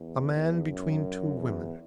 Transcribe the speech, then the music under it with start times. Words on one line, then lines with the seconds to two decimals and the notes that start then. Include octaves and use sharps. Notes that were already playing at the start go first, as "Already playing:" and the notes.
A man between two women.
Already playing: E2
0.35 E2
0.69 F#2
1.38 E2